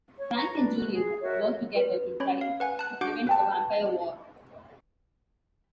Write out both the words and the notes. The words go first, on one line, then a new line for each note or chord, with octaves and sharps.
Frank and Julian work together to try to prevent a vampire war.
C#5
B4 A#5 C#6
D4 B4
F#4
G#4
F#4 A#4 C#5 E5
B4
C#4 C#5 B5
F5
B4 F#5 G#5
A5 F#6
D4 F#4 F#5 D6 G6 D7
B4 G5 A5